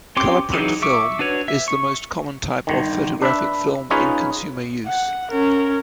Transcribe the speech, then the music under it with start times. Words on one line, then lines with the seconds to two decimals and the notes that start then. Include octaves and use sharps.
Color print film is the most common type of photographic film in consumer use.
0.17 C4 C#4 G4 C6 D6
0.53 E3 F#3 D#4 G#4
0.82 E5 C#6 D6
1.19 D4 F#4 B4 C#5
1.48 E5
1.68 C#6
2.67 G1 D#3
3.22 D4 B4 E5
3.90 C#4 D#4 F4 G#4 B4 C#5
4.87 F#5
5.31 C#4 A#4